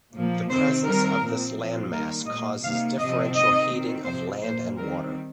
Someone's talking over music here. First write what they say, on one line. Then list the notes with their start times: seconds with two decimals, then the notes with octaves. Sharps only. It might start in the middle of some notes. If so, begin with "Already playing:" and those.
The presence of this landmass causes differential heating of land and water.
0.14 A#2 F3 A#3
0.50 C3 D#3 C4 C5
0.86 D#3 G3 C4 A#4
1.21 A#2 F3 C4
1.57 A#2 F3 C4
1.92 D#3 G3 A#3 A#4
2.28 A#2 A#3 D#5
2.63 C3 D#3 A#3 F5
2.99 C3 F3 C4 D#5
3.35 D#3 C4 D#5
3.71 D#3 C4
4.06 C3 F3 C4 C5
4.42 A#2 A#3 C5
4.77 D#3 G3 C4 A#4